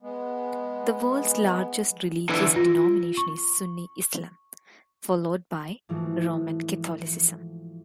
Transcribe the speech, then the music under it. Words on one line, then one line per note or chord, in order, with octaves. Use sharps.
The world's largest religious denomination is Sunni Islam, followed by Roman Catholicism.
G#3 B3
D3 E3
F4
C#6
G#2 E3 F3 A3 F#4